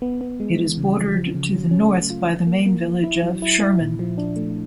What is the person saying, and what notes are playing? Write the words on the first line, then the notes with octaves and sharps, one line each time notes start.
It is bordered to the north by the main village of Sherman.
B3
B3
G#3
E3
C#3
F3
F3
C#3
F#3
C#4
A3
F4
F3
A#3
A#3
F3
E4
F#3
E4
E4
A#2
F3
D4
A3